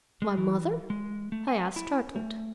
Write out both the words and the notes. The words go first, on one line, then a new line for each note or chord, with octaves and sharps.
"My mother?" I asked, startled.
G#3
E3
G#3
A3
G#5
E4
A3